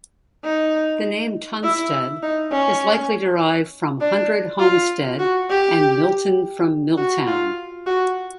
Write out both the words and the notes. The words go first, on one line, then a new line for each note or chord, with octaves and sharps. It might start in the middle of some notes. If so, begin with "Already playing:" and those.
The name Tunstead is likely derived from hundred homestead and Milton from mill town.
D#4
E4
D#4
C#4
D4
F4
F#4
G4
F#4
F4
F#4